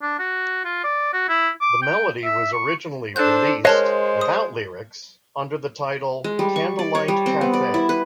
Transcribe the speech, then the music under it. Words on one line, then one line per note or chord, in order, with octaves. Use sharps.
The melody was originally released without lyrics under the title "Candlelight Cafe".
D4
F#4
F4
D5
F#4
E4
D6
G5
E5
C#6
D4 A4 C5 F#6 G6
G#3 A#4 C5 C#5 D#5 F5 A5 F#6
D#6
G#3
G3
C#6
D5
C#5
G3
C4
B3
D5
E4
B4